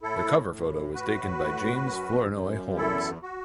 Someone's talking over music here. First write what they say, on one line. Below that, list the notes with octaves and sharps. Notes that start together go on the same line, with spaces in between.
The cover photo was taken by James Flournoy Holmes.
A2 E4 A4
A2
A2 F#4 B4
A2
F#2
F#2
E2 E4 A4
F#4